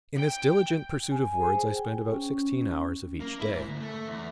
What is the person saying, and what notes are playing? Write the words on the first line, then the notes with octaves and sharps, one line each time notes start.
In this diligent pursuit of words I spent about sixteen hours of each day.
G5
G#5
G#4
C5
G5
C#4
A#3
E4
G#2
D2
A3
E2